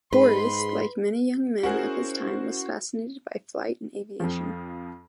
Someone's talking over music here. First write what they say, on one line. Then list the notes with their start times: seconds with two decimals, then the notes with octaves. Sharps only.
Boris, like many young men of his time, was fascinated by flight and aviation.
0.13 G#2 G#4 B4 B5 C6
1.63 C#4 E4 F#4 G#4 A#4 C5 F#5
4.20 F2 F3